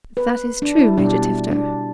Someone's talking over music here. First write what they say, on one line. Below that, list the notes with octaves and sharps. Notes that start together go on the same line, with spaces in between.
"That is true, Major Tifto."
B4
D4
E4
B2 G3 D4
D4